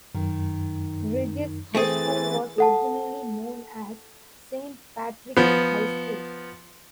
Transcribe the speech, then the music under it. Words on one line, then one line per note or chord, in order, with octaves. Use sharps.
Regis High School was originally known as Saint Patrick's High School.
F#2 D#3
E3 A3 C4 G#4 A6
A4 F#5 A5
F3 B3